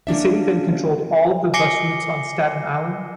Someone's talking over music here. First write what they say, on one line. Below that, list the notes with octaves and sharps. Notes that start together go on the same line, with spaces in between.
The city then controlled all of the bus routes on Staten Island.
A#3 C#4 D4 E5
G#5 D6 A#6 C7 C#7 G7